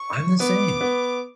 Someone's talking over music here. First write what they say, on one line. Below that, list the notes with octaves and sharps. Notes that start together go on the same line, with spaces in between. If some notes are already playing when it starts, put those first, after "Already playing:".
I'm the same.
Already playing: C#6
B3 D6
B3